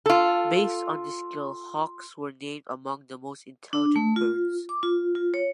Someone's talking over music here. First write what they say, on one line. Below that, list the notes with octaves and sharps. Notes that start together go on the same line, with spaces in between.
Based on this scale, Hawks were named among the most intelligent birds.
F4 A4
D4
A3
F4
D6
F4
F4
C#5